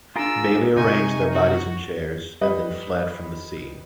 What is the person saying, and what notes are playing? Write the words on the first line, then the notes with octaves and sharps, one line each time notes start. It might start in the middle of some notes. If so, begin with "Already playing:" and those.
Bailey arranged their bodies in chairs and then fled from the scene.
D4 F4 G#4 A#4 E6
C3 D#4 G#5 C#6
F#4
G3 B4 D#5